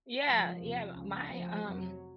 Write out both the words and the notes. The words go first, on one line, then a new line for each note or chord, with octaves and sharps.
Yeah, yeah, my, um
C#2 B2 F3
E2 C3
C#2 C#3
D2 C#3 F3
F2 C3 F#3